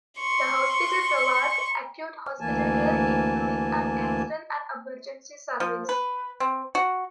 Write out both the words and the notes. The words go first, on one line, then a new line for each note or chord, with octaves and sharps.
The hospital provides acute hospital care, including an Accident and Emergency service.
C6 C#6
D2 E3 A#3 G#5 A5
F3
B4
C4
F#4